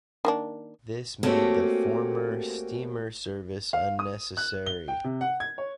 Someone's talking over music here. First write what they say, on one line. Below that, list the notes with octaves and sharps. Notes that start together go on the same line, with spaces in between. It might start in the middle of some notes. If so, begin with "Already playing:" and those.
This made the former steamer service unnecessary.
D#3 A#3 D4
A3 A#3 C4 C#4 F#4 G4
F5
D#6
F#6
G7
G5
C3
F#5
G#6
C#5